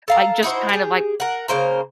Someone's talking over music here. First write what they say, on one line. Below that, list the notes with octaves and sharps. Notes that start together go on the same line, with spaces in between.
Like, just kind of, like
A4 F5 A#5
D#4 E4 F#4 C5
G4 G#4
A#4 F#5
C#3 A#3 C5 A#5